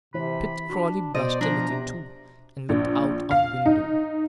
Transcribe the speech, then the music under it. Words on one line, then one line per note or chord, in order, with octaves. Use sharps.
Pitt Crawley blushed a little too, and looked out of window.
C3 E3 C5 B5
D4 F#4
B2 C5 D5 D#5
F3 D4 A#5
C3
A#1
F5
D#4